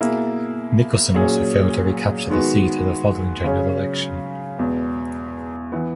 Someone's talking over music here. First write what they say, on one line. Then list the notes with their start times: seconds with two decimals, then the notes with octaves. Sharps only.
Nicholson also failed to recapture the seat at the following general election.
0.01 B2 A#3 E4 G#4
1.15 A#2 F#3 C#4 G#4
2.30 D#3 G#3 B3 F#4
3.44 C#3 F#3 C#4 G#4
4.58 E2 B2 G#3 B3
5.72 E3 B3